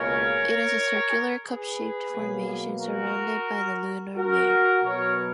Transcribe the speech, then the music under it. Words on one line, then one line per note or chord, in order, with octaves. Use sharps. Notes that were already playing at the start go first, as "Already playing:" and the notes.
It is a circular, cup-shaped formation surrounded by the lunar mare.
Already playing: C#2 B2 A#3 C#4 A#4 C#5
G#4 B4
B2 F#3 A#3
F#4 A#4
F#4 A#4
B2 F#3 B3 A#4 C#5